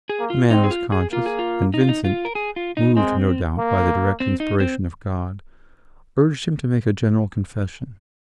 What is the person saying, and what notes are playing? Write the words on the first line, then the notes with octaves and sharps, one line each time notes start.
The man was conscious, and Vincent--moved, no doubt, by the direct inspiration of God--urged him to make a General Confession.
G#4
A#3
F4
C4 D#4
G#4
F4
G#4
A#3 F4
G#4
F4
D#4
F4
D#4
F4
A#4
G#4
F4
D#4
G#3 C4
A#3
C4
D#4
C4